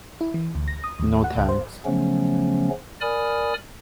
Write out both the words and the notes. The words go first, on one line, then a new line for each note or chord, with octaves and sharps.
No, thanks.
E4
E3
D2
A#6
D#6
D#2
F#5
C#2
C5
C#3 F3 F#3 A3 B3 C#4
A#4 D5 G#5 B5 D#6 F6